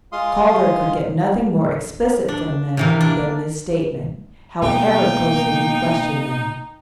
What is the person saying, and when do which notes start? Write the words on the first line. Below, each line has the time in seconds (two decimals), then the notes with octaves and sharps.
Calder could get nothing more explicit from them than this statement, however closely he questioned them.
0.12 G#3 F4 F5 C6 D#6
2.29 D4
2.77 C3 E3 A#3
3.01 D4
4.62 B2 F3 G#3 A#3 D#4 G5